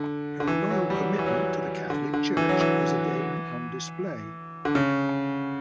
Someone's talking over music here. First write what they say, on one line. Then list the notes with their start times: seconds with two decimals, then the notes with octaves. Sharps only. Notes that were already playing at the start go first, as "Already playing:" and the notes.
Her loyal commitment to the Catholic Church was again on display.
Already playing: D3
0.40 D3
0.47 E3
0.70 F#3
0.90 G3
0.95 F#3
1.19 E3
1.26 F#3
1.34 E3
1.90 D3
2.14 D3
2.37 E3
2.49 F#3
2.60 E3
4.65 D3
4.75 C#3